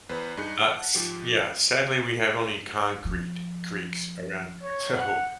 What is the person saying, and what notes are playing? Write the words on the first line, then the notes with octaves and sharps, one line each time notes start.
Uh, s yeah, sadly, we have only concrete creeks around, so
E2 B4 C5
G2 D#4 G#4 F#6 C#7
F#5 A5
G#2 F3 G4
F3
C#5
F#5